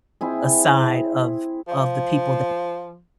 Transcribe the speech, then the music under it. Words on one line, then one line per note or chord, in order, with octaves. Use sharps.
a side of of the people that
C4 E4 G#4
F3